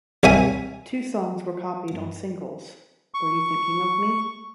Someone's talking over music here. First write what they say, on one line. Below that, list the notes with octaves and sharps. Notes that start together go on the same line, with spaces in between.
Two songs were copied on singles, Were You Thinking Of Me?
C2 C#5 E5 G#5
C#6